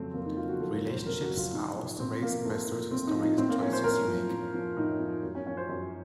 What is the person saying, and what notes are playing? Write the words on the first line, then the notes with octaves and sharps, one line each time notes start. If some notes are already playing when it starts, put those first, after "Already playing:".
Relationships are also raised by certain story choices you make.
Already playing: F2 C#3 F#3 A3 C4
F2 A#3
D#4
C#3 F#3 F4
F#4
F2 A4
A#4
C#3 F#3
C5
F2 A#4
F#4
C#3 F#3
F4
A2 D#4
F3
A2 C4
F3 A#3
A2 A3
F3
A2 C4
D#4
F3
D#4
A2 C4
A#3
F3 C#4
C5
A2 A#4
F3
A2
F3
A2 D#4
F3
F#2
C#4
F3 C#4
C5
F#2